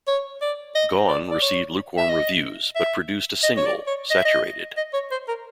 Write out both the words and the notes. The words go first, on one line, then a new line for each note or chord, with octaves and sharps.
"Gone" received lukewarm reviews, but produced a single, "Saturated".
C#5
D5
D#5
D5
D5
C#5
E5
D#5
E5
D#5
C#5
D5
C#5
D#5
E5
D#5
D#5
C#5
C5
A#4